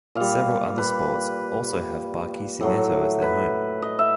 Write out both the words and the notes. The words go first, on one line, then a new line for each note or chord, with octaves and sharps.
Several other sports also have Barquisimeto as their home.
A#2 G3 F5
B4
A2 F#3 A3
B4
D#5
E5